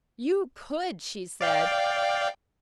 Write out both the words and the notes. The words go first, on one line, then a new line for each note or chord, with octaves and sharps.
"You could!" she said.
D5 F5 G5